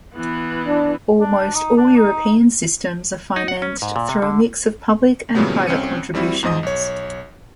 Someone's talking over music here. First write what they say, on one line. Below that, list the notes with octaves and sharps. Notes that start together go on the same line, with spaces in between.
Almost all European systems are financed through a mix of public and private contributions.
E3 B3
D4
D4
D#4
D4
D#4
D#4
F#5
C#4
G#2
A#2
C3
D3
A#2 C#3 E3 F#3 G3 B3
C2 C4 C#4 C#7 D#7
D#2 G3 C4 E4 F#4
E2 G#2 F3 D#5 D#6
B1 C#5